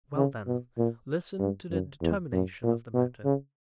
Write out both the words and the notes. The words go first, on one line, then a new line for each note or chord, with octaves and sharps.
'Well, then, listen to the determination of the matter.
C#3
B2
A#2
G2
F#2
E2
F#2
A#2
B2
C#3